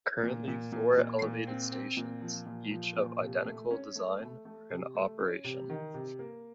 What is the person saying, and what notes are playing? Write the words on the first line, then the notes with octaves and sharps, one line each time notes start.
Currently four elevated stations, each of identical design, are in operation.
A#2
A#2
A#2
A#2
A#2
C4
C4
A#2
F3
A#2
F3
A#2
C3
A3
C#4
A3
A3
A3
C3
A3
C#4
C3
D#3
C3
A#3